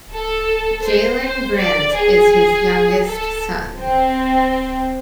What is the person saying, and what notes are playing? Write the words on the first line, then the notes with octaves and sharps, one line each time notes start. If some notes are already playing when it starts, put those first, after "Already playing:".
Jaelin Grant is his youngest son.
A4
C5
C5
D5
G#4
A4
C4